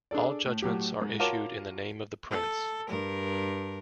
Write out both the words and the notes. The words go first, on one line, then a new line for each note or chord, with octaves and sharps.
All judgments are issued in the name of the Prince.
D4 G#4 A4 D5
A2
A2 F#3 G4
G#2
F4 F#4 A#4 C#5 A5 D6
A4
G2 A#4